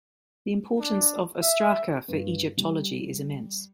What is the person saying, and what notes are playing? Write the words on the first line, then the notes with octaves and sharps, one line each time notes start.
The importance of ostraca for Egyptology is immense.
D4
E5
G2
G3